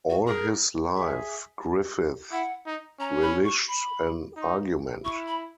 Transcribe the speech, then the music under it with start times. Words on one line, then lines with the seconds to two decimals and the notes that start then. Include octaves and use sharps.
All his life, Griffith relished an argument.
0.10 F#4
0.27 G#4 A#4
0.95 G#4 E5
2.32 E4 F#5
2.66 D#4
3.00 C#4 A#5
3.22 B5
3.45 C#6
3.68 B5
4.36 D#4
5.04 E4 C#6
5.27 B5